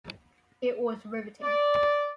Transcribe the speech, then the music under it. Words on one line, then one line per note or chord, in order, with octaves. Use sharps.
It was riveting.
D5